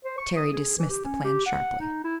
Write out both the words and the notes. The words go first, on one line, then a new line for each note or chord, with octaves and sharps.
Terry dismissed the plan sharply.
C5
C#6
D#6
G#4
E3
G4
C#4
G4
F#5
D#4
E4